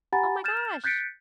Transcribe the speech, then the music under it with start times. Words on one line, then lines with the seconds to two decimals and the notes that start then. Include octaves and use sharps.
Oh my gosh!
0.13 G4 F#5 G#5 A#5 B5 A6
0.44 F6 G6 A6 E7
0.84 F#6 G6 A6 B6 C#7 D7